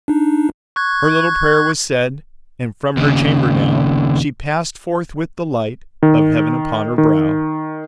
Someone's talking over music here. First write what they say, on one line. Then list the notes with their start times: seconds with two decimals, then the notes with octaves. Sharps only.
Her little prayer was said, And from her chamber now She passed forth with the light Of heaven upon her brow.
0.08 D4 D#4
0.76 C#6 F#6 G#6
2.97 D#2 C#3
6.03 D#3
6.98 D#3